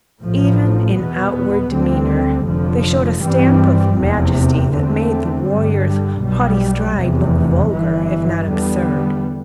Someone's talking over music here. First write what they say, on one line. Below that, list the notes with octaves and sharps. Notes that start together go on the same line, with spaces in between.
Even in outward demeanour they showed a stamp of majesty that made the warrior's haughty stride look vulgar, if not absurd.
A1 A2 F3
E2 B2 B3
D2 D3 G3 C4
F1 F2 D3 F3
G2 E3 G3 C4
F1 E2 C3
E2 D3 A3 C4
G2 D3 G3
B1 B2 G3
F1 E2 C3
G1 G2 E3
E2 D3 G3 B3